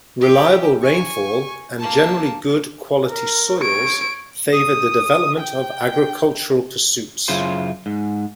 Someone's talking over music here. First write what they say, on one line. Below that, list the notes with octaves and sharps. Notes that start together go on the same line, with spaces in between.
Reliable rainfall and generally good quality soils favoured the development of agricultural pursuits.
G4
G#5 C#6
A#3 A5
A#4
C#5 D7
D#6
G5
F#2 C#3 E4 F4 C5 C6
G#2